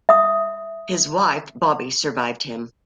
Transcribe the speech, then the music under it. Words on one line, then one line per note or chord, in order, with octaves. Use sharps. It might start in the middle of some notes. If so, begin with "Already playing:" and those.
His wife, Bobbe, survived him.
E5 D#6